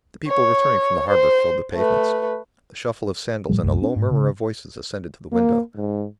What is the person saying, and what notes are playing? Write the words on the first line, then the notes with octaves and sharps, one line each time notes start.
The people returning from the harbour filled the pavements; the shuffle of sandals and a low murmur of voices ascended to the window.
C#5
C5
A3 B4
A2 F3 G3
C2 F#2 A3
C4 D4
G#2
C#3
A#3
G#2